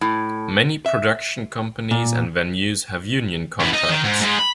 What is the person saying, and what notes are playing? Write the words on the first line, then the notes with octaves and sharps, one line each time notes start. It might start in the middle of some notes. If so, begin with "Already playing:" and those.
Many production companies and venues have union contracts.
A2
E5
A#2
F#2 E3
D#4 D#5
D#3
G#2
G#2 G#3
B5